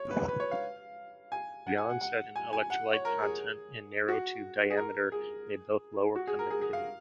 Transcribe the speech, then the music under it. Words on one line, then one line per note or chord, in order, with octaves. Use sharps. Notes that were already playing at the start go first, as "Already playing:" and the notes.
Beyond-saturation electrolyte content and narrow tube diameter may both lower conductivity.
Already playing: C#5
B4
B4
C#5
F5
G#5
F#5
G#5
F#5
F#5
G#5
G#5
F#5
C#5
A#4
G#4
F#4
G#4
A#4
G#4
F#4
G#4
A#4
G#4
G#4
F5